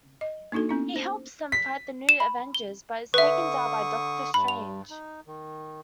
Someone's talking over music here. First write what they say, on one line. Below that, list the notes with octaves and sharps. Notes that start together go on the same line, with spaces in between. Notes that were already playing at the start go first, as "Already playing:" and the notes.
He helps them fight the New Avengers, but is taken down by Doctor Strange.
D#5
A#3 D4 D#4 F#4 A4
B3 C#4 E4
C5
B6
E7
B5
G7
D3 B4 E5 C#6 D#6
G2 B5
F7
D#4
D#3